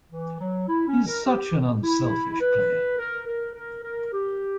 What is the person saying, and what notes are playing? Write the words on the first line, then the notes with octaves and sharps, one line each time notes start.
He's such an unselfish player.
E3
F#3
E4
C#4
A#4
G4
E4
B4
A#4
A#4
A#4
A#4
G4